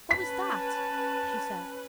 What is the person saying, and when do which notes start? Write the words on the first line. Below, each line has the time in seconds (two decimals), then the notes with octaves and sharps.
"What was that?" she said.
0.11 C#4 B4 A5 B6